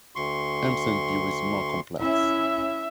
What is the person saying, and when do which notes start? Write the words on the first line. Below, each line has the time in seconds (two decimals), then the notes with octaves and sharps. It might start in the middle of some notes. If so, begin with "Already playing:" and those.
Empson's view is more complex.
0.16 D2 C6 C#6
2.00 C#4 E4 E5